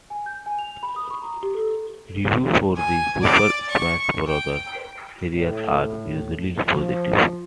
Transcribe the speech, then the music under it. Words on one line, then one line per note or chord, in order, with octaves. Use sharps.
Reviews for the "Super Smash Brothers" series are usually positive.
G#5
G6
G#5
F7
B5
D#6
C#6
A#5
G4
A4
G#5
D5
C#6
G5
A2
F3